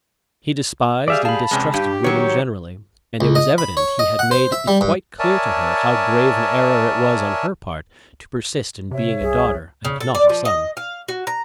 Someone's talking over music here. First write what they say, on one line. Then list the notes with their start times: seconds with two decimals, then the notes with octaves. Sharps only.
He despised and distrusted women generally, and it was evident he had made it quite clear to her how grave an error it was on her part to persist in being a daughter and not a son.
1.08 G3 G#4 D5 E5 F5
1.25 F5 A5 B5
1.51 E2 C3 G#3 C#4
1.74 G2 G4
2.04 D#3 F#3 C#5
3.21 C#2
3.35 D#5
3.58 B5
3.77 C#5
3.99 D#5
4.19 F#5
4.31 C5
4.52 E5
4.68 G3
4.81 G2
5.19 A#4 C#5 D5 E5 G#5 A5
8.91 C3 C#5 E5
9.21 C2 G#4
9.85 C#3
10.00 A4
10.15 D5
10.29 F3
10.45 D#5
10.77 F5
11.08 F#4
11.27 A#5